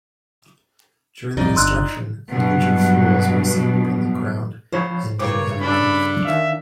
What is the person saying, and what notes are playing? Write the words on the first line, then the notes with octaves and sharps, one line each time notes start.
During the construction, individual floors were assembled on the ground and then elevated.
C2 F2 D#4 D5 D#5
G1 C6 E6 F#6
G2 B2 F#3 F#5
B3
F3 C5 C#5 B5
G2 C#3 A#4 C5 C#5 D6
C#4 D4 A4 B5
D#3 E5 F5